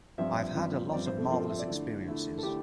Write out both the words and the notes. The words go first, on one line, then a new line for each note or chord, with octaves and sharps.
I've had a lot of marvellous experiences.
G2 F3 C4 F4 E5
G2 F3 C4 F4
G2 F3 C4 F4 D5
C5
A4
G2 F3 C4 F4 A#4
A4
E5
D5
D3 A3 E4
D3 A3 E4
A4
D3 A3 E4 G4